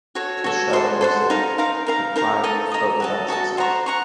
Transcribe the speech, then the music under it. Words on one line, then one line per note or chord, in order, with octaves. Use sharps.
Cashel also applied, but without success.
F#4 A4 C#5
F#4 A4 C#5
A4 C5 F#5 C6
A4 C5 F#5 C6
D#4 A#4 F5 A#5
D#4 A#4 F5 A#5
D#4 A#4 F5 A#5
D#4 A#4 F5 A#5
A4 D#5 A#5 D#6
A4 D#5 A#5 D#6
F#4 A4 D#5 A5
F#4 A4 D#5 A5
C5 F#5 A#5 C#6
F#5 A#5 C#6